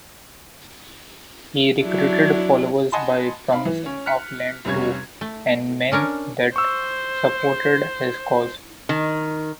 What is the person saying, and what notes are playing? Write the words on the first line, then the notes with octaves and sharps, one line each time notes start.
He recruited followers by promising of land to any man that supported his cause.
F#3 D4 E4
D#5 F#5 G#5 A5 B5 C6
D#4 F5 B5
E3
C#4
F6 F#6 B6 C#7
F1 C3 G3 C#4 C#6 G#6
A3
C#4 D4 A#4 C#5
C5 C#6 E6
D#3